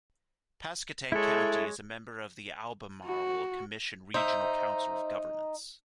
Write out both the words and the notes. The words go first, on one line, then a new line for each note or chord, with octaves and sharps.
Pasquotank County is a member of the Albemarle Commission regional council of governments.
G#3 E4 A4 C#5
F#4
D#4 C5 E5